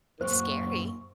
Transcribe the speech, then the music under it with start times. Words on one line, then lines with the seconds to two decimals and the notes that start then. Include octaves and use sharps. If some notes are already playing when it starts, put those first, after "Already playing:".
it's scary.
0.21 F#2 A#3 F4 G4 C5 C#6